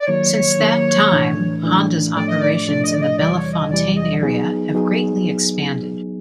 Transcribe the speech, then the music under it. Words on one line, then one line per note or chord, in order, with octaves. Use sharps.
Since that time, Honda's operations in the Bellefontaine area have greatly expanded.
D5
D#3 F#3 A#3 C#5
D#3 F#3 A#3
A2 E3 A3 D4
A2 E3 A3 D4
A2 F3 A3 D4 D5
D#5
D5
D5
A2 F3 A3 D4 D5
D#5
D5
D#5
E2 C3 E3 G3 D5
C#5
D#5
E2 C3 E3 G3 D5
D#5
F#3 B3 D#4 G#4
F#3 B3 D#4 G#4